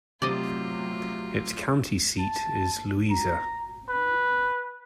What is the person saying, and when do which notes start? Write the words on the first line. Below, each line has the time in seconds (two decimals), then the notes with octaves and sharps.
Its county seat is Louisa.
0.22 C3 F#3 A3 F4 G4 C5 D5 D#5
2.19 A5
3.11 A#5
3.89 B4